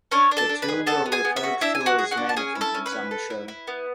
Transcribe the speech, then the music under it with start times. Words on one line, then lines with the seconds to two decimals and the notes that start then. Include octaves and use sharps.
The two were referred to as "mannequins" on the show.
0.12 C#4 D4 C#5
0.31 D4
0.37 A4 A5
0.49 D4
0.62 B4 B5
0.68 G#4
0.86 B3 A4 A5
1.06 B3
1.12 G#4 G#5
1.25 B3
1.36 E4 E5
1.43 F#4
1.61 D4 E4 E5
1.75 G#5
1.81 D4
1.86 F#4 F#5
1.99 G#4
2.11 F#4 F#5
2.17 D4
2.29 A5
2.37 C#4 G#4 G#5
2.55 E4
2.61 A4 A5
2.75 C#4
2.86 B4 B5
2.92 E4
3.11 A4
3.30 E4
3.48 E4
3.67 B3